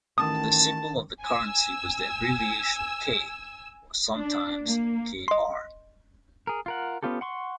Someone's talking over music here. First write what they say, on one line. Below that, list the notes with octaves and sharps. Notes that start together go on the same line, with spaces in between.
The symbol of the currency was the abbreviation K. or sometimes Kr.
A1 D#3 A5 D#6
G#5 E6
D4
A#3
D#5 C6
G#4 A#4
F4 A#4 F#5
B3 C#4 F4 G4 A4
F#5 C6 C#6